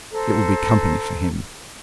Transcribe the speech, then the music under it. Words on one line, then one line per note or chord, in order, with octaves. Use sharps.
It will be company for him.'
A4 C5 A#5